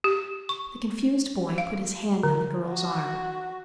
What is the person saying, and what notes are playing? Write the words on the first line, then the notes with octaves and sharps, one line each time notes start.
The confused boy put his hand on the girl's arm.
G4
C#6
F5
D3
F#4